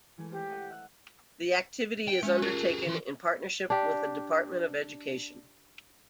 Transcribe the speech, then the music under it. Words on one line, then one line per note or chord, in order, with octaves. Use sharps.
The activity is undertaken in partnership with the Department of Education.
E3 G#3 A3
F4 G4 C5
A4 D#5 F#5
E5 F#6
G5
G#3 C#4
C#4 F4 G4 G#4 A#4
E3 C6
D4 G4